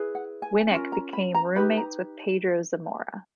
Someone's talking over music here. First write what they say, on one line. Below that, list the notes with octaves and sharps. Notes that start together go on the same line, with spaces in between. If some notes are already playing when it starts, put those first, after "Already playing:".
Winick became roommates with Pedro Zamora.
Already playing: E4 G#4 B4
F#5
G#5
C#4 F4 A#4
A#5
B5
A#5
D#4 G4 B4 B5
A#5